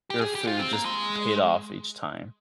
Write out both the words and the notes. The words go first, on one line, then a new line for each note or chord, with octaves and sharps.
your food just paid off each time.
G4
G#4
G4
F4
C4
A#3
G#3